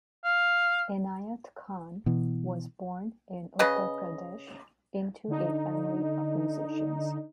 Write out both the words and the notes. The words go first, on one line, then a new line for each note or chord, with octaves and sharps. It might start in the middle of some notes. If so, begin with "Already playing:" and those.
Enayat Khan was born in Uttar Pradesh into a family of musicians.
F5
B2 E3
C#3 B4 D#5
D3 D#4